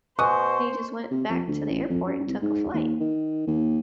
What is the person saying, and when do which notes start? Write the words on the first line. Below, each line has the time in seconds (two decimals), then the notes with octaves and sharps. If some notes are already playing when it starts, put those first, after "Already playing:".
he just went back to the airport and took a flight,
0.19 B2 C5 G#5 C#6 D#6 F#6
1.11 C3
1.29 F2
1.48 D2
1.70 A1
1.90 F2
2.06 F#2
2.27 C2
2.42 G#2
2.74 D#2
3.00 D#3
3.47 D#2